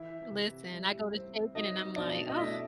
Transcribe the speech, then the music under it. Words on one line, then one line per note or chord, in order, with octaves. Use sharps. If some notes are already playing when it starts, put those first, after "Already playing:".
Listen, I go to shaping and I'm like, "Oh,"
Already playing: E3 E4 E5
C3
G3
C4
F#3 D#4 D#5
B2 D4 D5
D#5
A3 E4 E5